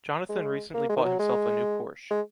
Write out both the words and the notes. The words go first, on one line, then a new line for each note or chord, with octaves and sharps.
Jonathan recently bought himself a new Porsche.
G#3
A#3
G#3
D#3
F#3
G#3
G#3